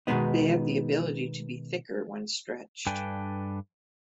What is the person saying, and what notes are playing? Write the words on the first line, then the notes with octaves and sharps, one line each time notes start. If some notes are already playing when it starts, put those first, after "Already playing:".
They have the ability to be thicker when stretched.
B2 D#3 F3 G#3 B3 D#4
G2 D4 A4 B4 G5 G#5